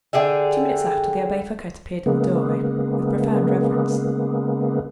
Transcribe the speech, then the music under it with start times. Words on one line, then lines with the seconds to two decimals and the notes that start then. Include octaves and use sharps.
Two minutes after, the Abbe Fouquet appeared in the doorway, with profound reverence.
0.13 D3 G4 G#4 E5
2.06 C#3 G#3 A#3 B3